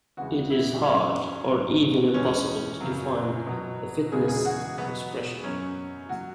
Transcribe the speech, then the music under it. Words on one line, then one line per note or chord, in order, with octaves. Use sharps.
It is hard or even impossible to define the fitness expression.
E2 C#3 G#3 F#4
E4
F#2 F#3 C#4
G#2 F#3
E2 B2 G#3 C#4
F#2 C#3 F#3
B2 F#3
E2 C#3 G#3 G#4
G#4
F#4
B2 F#3 B3
F#2 F#3 C#4
F#3 F#4